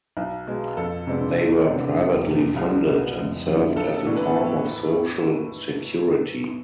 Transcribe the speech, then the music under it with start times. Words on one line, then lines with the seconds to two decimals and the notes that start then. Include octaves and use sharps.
They were privately funded, and served as a form of social security.
0.17 B1
0.47 B2 G#3
0.77 F2 A4
1.07 C3 G#3 B3 D4
1.36 E2
1.66 C3 G#3 B3 D4
1.96 F1
2.27 E2 C3
2.56 C2 G#4
2.87 B2 B3
3.16 F1
3.46 F2 D3 F3
3.76 B1 A4
3.97 A4
4.06 A2 E3 B3 D4
4.16 B4